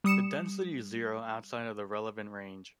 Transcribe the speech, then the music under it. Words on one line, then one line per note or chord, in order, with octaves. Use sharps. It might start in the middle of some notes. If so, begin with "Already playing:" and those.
The density is zero outside of the relevant range.
G3 D#6 C#7 E7